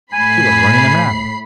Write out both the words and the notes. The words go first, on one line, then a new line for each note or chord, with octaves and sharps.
He was running a man!
A2 G#5 B5 C7